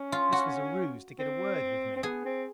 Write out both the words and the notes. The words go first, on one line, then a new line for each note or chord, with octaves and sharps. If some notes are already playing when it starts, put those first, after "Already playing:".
This was a ruse to get a word with me.
Already playing: C#4
F4
F#4
C4
C4
B3 G#4
C4